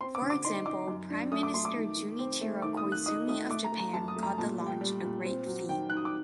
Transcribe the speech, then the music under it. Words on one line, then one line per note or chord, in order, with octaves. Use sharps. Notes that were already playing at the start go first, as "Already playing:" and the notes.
For example, Prime Minister Junichiro Koizumi of Japan called the launch "a great feat".
C4 C6
D6
D3
D6
D#4 C6
D#4 D6
F#2
D4
A3 D#6
D6
A3 C6
D6
D#3
D#3
C4
A3
D#3 D6
D#6
D#3
F#6
D#4 D#6
A3 D#6
A3 D6
A#5
A3
A#5
F#2 A5
D#6
A3
A#5
A#2 A5
G3
G5
G3
A#2
C4
F#3
D#3 G5
D#3 F#6
D#6
D6